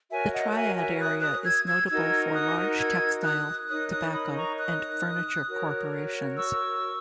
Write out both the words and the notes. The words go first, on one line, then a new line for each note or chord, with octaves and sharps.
The Triad area is notable for large textile, tobacco, and furniture corporations.
F#4 A#4 C#5 E5 G#5
D#5 F#5
E5 G#5
E5 G#5
D#6 F#6
D#6 F#6
E6 G#6
E6 G#6
D#4 F#4 A#4 E6 G#6
D#6 F#6
E6 G#6
D#6 F#6
D#4 A#4 C#5 D#6 F#6
D#6 F#6
B5 D#6
A#5 C#6
D#6 F#6
F#4 A#4 C#5
C#6 E6